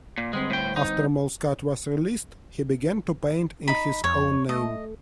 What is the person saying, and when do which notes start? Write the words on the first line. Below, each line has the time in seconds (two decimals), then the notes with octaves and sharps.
After Malskat was released, he began to paint in his own name.
0.18 A#2
0.33 G1 G#3 C4 B6
0.50 A2 G5
0.76 D#4
3.68 D#4 B5
4.04 F2 C#5
4.49 A3 D#5